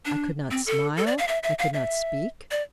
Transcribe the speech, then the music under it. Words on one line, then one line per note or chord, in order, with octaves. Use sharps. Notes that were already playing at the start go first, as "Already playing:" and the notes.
I could not smile, I could not speak.
D4
C4
A4
A4
D5
F5
E5
E5
F5
E5
D5